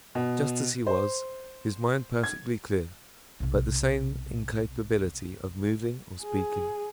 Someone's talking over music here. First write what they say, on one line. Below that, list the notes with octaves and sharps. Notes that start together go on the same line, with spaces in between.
"Just as he was, his mind perfectly clear, but the same incapability of moving or speaking."
B2
C5
G#6
B1 C3
G#4